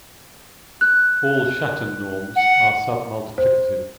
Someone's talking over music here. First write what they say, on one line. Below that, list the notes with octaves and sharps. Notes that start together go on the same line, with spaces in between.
All Schatten norms are sub-multiplicative.
F#6
F#5
C5